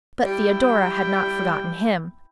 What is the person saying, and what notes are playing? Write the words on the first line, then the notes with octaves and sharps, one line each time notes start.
But Theodora had not forgotten him.
G3 E4 G5